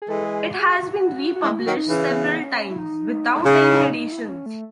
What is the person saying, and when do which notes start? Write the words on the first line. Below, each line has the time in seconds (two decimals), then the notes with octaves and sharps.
It has been republished several times, without any additions.
0.02 G#4
0.09 E3 G#3 A4
0.25 G#4
0.54 F#4
0.59 G#4
0.76 F#4
1.36 F#4
1.43 E3 G#3 E4
1.60 F#4
1.66 D#3 F#3
1.77 D#4
1.88 C#3 E3
1.94 C#4
2.10 B3
2.32 B3
2.44 C#4
2.70 E4
2.78 D#4
3.45 C#3
4.12 E4
4.25 D#4
4.29 C#4
4.46 A3